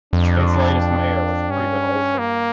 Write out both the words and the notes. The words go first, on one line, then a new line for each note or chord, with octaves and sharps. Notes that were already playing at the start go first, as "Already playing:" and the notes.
Its latest mayor was Preben Olesen.
F2 D4
G2 C#4
A#3